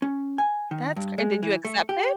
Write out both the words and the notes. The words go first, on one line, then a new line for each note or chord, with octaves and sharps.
That's cr and did you accept it?
C#4
G#5
D#3
G2
G#3
E3
A3
G4